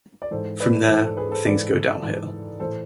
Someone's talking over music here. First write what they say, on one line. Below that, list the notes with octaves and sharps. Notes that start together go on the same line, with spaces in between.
From there, things go downhill...
D5
G#2 E3 A4 C5
B4 D5
G#2 E3 A4 C5
A4 C5
G#4 B4
A4 C5
G#2 E3 B4 D5
G#2 E3
A2 E3 A4 C5